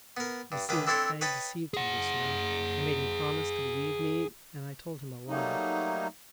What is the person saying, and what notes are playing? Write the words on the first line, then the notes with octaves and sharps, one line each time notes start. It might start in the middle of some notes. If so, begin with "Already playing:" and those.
You see, I deceived him just now, I made him promise to believe me and I told him a lie.
B3 A#4
G2
C#2 D#3 B4 D6 D#6
C4 D4 E4 A4 C5 C#5
B4 C#5 D#5 G5 A5 B5
G#4 F#5
F#3 G3 A3 A#3 D#4